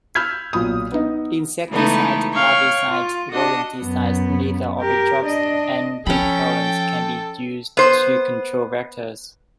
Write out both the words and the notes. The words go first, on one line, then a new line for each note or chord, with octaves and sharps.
Insecticides, larvicides, rodenticides, Lethal ovitraps and repellents can be used to control vectors.
B5 E6 F6 G6 G#6 B6
B1 A#2 B5 D#6
B3 D#4 D#5
C#3 E3 G#3 A3 B3 D#4
C#5 F5 G5 C#6
F4
D4 F#4 D#5
F#2 B3
G4 A#4
D4 D#5
F3 C#4 A4 G5 B5
B3 C5